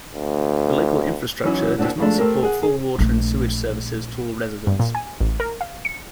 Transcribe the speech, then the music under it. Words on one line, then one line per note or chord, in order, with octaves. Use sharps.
The local infrastructure does not support full water and sewage services to all residents.
D2
E3 F#3 C#4 D#4 E4
D#2 G#3 C4 D4 F#5
F3 G#3 A3 D4
A3 C4 G4 A4 A#4
G#4 F#5
G#4
A#1 A3
G2
A#2
G#5
A1
A#4
F5
C#7